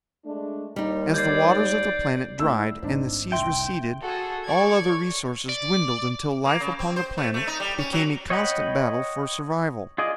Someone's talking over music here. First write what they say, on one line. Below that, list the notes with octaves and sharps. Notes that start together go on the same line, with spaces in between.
As the waters of the planet dried and the seas receded, all other resources dwindled until life upon the planet became a constant battle for survival.
G#3 A3 D4
D#2 G3 D#4
D5 G6 G#6 C7
A2 A#3 E4 E6
A1 G#2 C4 D4 D#4
F1 C2 E5 G5 C6
F#4 G#4 A4
C#5 D5 C#6 G#6
D5
A#3
C#3
C4
C5
A3
A3
D#4
G3
C#4
F#3
C#5 D#5 F#5 G5 B5
F4 G#4 D5 D#5